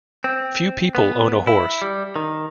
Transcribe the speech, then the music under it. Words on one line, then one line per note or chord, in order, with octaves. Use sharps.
Few people own a horse.
C4
B3
E4
G3
D#3